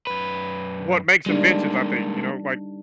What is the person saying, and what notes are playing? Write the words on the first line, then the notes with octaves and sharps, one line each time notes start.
what makes inventions, I think, you know? Like
F#2 B4
G3 G#3 A#3 D4 D#4